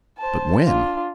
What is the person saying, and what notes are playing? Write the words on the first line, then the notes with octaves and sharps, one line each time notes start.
"But when?"
C5 A5
D4 F4